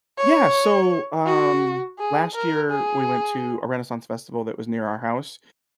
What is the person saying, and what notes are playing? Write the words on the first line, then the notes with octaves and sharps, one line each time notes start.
Yeah, so, um, last year, we went to a Renaissance Festival that was near our house,
C#5
F#4
G#4
A#4
G#4